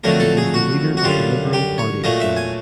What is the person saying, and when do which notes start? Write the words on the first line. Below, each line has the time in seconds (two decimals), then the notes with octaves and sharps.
He is the leader of the Liberal Party of Ghana.
0.04 F2 D3 F#3 A3 A#4
0.20 A4
0.37 G#4
0.54 F#4
0.97 F#4
1.04 F#2 D3 G3 F4
1.53 G4
1.78 C#5
2.04 A#2 F#3 A3 D#5
2.20 E5
2.37 G#5